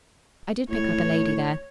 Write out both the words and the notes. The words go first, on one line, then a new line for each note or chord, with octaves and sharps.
I did pick up a lady there.
A2 C#5